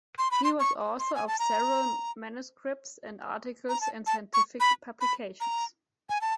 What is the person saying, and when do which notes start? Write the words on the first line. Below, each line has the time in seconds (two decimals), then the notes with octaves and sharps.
He was author of several manuscripts and articles in scientific publications.
0.18 C6
0.31 B5
0.44 C6
0.60 C#6
0.99 C6
1.15 G#5
1.27 A5
1.39 A#5
3.69 A#5
3.81 A5
4.07 A5
4.34 C#6
4.60 B5
5.01 B5
5.40 A#5
6.09 G#5
6.21 A5